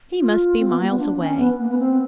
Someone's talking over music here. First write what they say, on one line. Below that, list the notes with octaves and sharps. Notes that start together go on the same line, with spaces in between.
He must be miles away.
F4
C4
B3
A#3
B3
D4
C#4
B3
A#3
B3
C4